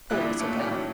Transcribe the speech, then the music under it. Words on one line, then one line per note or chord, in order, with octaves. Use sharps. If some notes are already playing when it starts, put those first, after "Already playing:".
Poor little girl!
F2 A#2 G3 E4 F4 F#6
D4
A#2 A3 C#4
A2 D#3 F#3 C#4